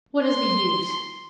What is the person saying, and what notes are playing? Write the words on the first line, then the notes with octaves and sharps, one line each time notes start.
What is the use?
C6